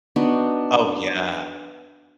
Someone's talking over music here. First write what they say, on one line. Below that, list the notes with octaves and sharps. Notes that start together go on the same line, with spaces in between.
Oh, yeah.
B3 D4 D#4 F#4